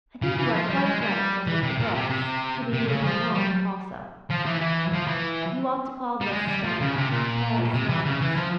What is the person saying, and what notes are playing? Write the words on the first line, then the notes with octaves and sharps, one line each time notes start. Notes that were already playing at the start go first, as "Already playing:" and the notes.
I think you are quite right to take the "Books" to the "Independents" also; you ought to call this study "Paris Novels."
C#3
E3
F3
G3
G#3
G3
E3
C3
A#2
C3
C3
C3
C#3
F3
G3
F3
E3
E3
F3
E3
G3
G#3
G3
F3
C#3
C3
A#2
C3
E3
C#3
E3
F3